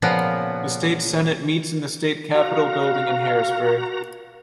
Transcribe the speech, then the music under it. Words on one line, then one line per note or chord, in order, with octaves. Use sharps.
The State Senate meets in the State Capitol building in Harrisburg.
A#2 C#3 F3 A#3 B3
F#4 F5 A#5